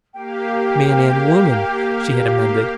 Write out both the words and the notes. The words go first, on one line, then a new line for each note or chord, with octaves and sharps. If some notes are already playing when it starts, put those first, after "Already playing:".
"Man and woman," she had amended.
A#3 G4 F5 G5